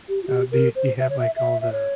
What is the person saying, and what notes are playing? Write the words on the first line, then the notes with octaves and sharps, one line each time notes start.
Uh, do you do you have, like, all the,
G4
F4
G4
A#4
C5
E5
C#5
E5
E5
E5
C#5